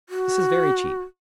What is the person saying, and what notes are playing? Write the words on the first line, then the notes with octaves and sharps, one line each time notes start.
This is very cheap.
F#4